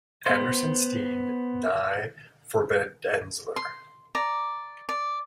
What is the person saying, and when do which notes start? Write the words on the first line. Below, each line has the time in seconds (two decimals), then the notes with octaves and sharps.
Andersen, Steen: Nye forbindelser.
0.26 B3 C5
3.56 C6
4.15 D5 A#5
4.89 D5